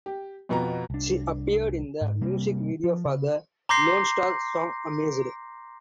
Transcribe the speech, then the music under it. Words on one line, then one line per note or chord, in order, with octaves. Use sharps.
She appeared in the music video for the Lonestar song Amazed.
G4
F2 B2 B3 F4 A#5
C2 D4
G#2
C3 G3 A#3
F3
C#3
A#5 C6 D6 G6 A#6 C7